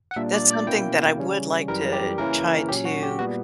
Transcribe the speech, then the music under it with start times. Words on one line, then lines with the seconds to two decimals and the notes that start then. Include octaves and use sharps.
that's something that I would like to try to
0.11 F#5
0.16 A#2 G3 A#3 D4 E5
0.34 D5
0.50 D5
0.67 B2 A#3 C#4 E4 G5
1.17 C#3 E3 G3 C#4
1.68 F#2 E3 G3 A#4
1.93 G4
2.18 C#3 E3 A#3 C#4 E4 A#4
2.68 A#2 F#3 C#4 G4
2.85 F#4
3.03 G4
3.19 A#2 G3 B3 F#4